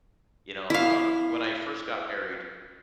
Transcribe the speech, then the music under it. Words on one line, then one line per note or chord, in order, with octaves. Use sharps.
You know, um, when I first got married,
E4 F5